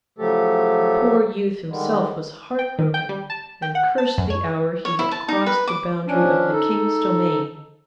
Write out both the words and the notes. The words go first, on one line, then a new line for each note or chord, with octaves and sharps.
The poor youth himself was heart-broken, and cursed the hour he had crossed the boundary of the King's domain.
C#3 F3 F#3 A3 G4 A4
D3 D#3 G3 G#3
G5
D#3
G5
G3
A5
G5
F#5
A5
F#2
C#5
C#5
E4
A5
D#4
B4
D6
F3 C#4 D4
D#4 A4